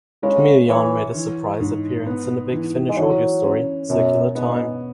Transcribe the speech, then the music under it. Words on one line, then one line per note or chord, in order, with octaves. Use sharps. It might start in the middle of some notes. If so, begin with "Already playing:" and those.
Kamelion made a surprise appearance in the Big Finish audio story "Circular Time".
C#3 G#3
E3 C#5
E3
G#2
B3
E3
G#3
E3 F#3
C#4
F#2 B2
G#2 B3